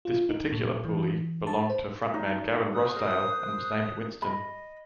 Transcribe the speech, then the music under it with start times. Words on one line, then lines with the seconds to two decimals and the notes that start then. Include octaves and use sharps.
This particular Puli belonged to frontman Gavin Rossdale and was named Winston.
0.05 F4
0.29 D#4
0.52 A#2
0.85 E3
1.47 A5
1.70 C5
2.14 D#4
2.72 C5 D#6 F#6
2.96 A#4
4.22 D#5 B5